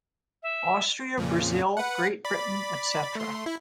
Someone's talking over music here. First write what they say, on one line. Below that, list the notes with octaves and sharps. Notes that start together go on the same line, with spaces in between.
Austria, Brazil, Great Britain, etc.
E5
F2 A#2 C#3
B4 F#5
D5 B5
A3 C6
E4